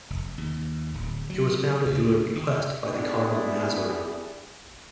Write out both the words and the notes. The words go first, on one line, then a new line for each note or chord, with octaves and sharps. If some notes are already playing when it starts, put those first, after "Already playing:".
It was founded through a bequest by the Cardinal Mazarin.
F1
D#2
D1
F#3
D2
D#3
A3 B3 D4 E4 G4 G#4